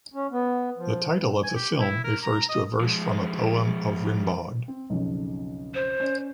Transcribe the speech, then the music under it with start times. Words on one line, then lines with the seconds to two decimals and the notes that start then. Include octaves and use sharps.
The title of the film refers to a verse from a poem of Rimbaud.
0.14 C#4
0.31 B3
0.78 F3
1.44 G#5
1.55 G4
1.80 E4
2.04 A#4
2.23 A#5
2.49 D#5
2.80 F3 G#3
4.68 C4
4.90 B1 F2 C#3
5.74 C5
6.00 C#4 D5